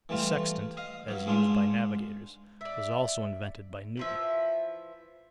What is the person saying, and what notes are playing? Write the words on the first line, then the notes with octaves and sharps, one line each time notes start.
The sextant, as used by navigators, was also invented by Newton.
E3 G3 A3 F4
D#5 F5
G2 F#3
G#2 G#3 D4 F4
D5 E5
E3 F3 E5